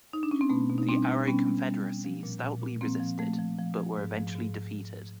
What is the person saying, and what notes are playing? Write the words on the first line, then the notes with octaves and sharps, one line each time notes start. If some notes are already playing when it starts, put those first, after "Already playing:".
The Aro Confederacy stoutly resisted but were eventually defeated.
D#4
D4
C#4
C4
B2 A3 B3
B2
D#4
G3 C4 D4
B2
G3 B3 C#4
G3
G3
G3
F3
A#2
A#2
A#2
F3 A#3 C4
F3
F3 A3
F3
F3
F3
G#2
F3
G#2